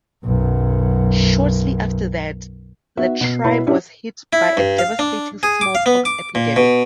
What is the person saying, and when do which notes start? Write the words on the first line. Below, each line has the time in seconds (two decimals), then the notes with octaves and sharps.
Shortly after that, the tribe was hit by a devastating smallpox epidemic.
0.25 B1 F#2
2.97 B3 D#4 F#4 E5
3.21 B2 C7
3.44 B2 E4 B4 C#5 B5
3.67 C#4 D4 E4 G4
4.33 E4
4.57 G2
4.79 F5
4.99 D4
5.43 G#4
5.61 D6
5.75 F5
5.86 B3
6.05 D6
6.35 A#2
6.56 B2